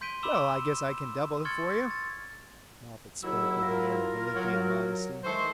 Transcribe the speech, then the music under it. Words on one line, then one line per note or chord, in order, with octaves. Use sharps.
"Well, I guess I can double it for you." Moffatt spoke with an air of Olympian modesty.
C6 G6 B6 D7 D#7 G7
B5 C6 D6 E6 E7 G7
C6 C#6 F6 G#6 A6 C#7
A6
D#2 F#3 E4 G#4 E6
F4 A#4
F#3
F#3
D#3 E3 G#3 A4 C5 C#6